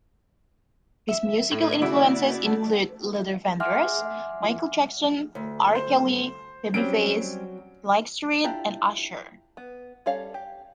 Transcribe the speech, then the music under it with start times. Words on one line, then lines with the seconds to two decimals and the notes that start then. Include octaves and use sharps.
His musical influences include Luther Vandross, Michael Jackson, R. Kelly, Babyface, Blackstreet and Usher.
1.09 E5
1.51 A2
1.82 C#3 E4 F#4 D5
2.46 A3
3.60 E5 F#5 G#5 C6 D6 F6
5.35 D2
5.75 C5
6.74 F#3 G3 C4 C#4 D7
8.44 D4 E4 F4 G4 A#5
9.57 B3
10.06 G3 C#4 A4 C#5 F5
10.34 G4